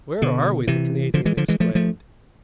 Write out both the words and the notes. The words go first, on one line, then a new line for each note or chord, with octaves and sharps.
"Where are we?" the Canadian exclaimed.
B2 D3
C3 E3
D3 F3
E3 G#3
D3 F3
E3 G#3
F3 A3
F3 A3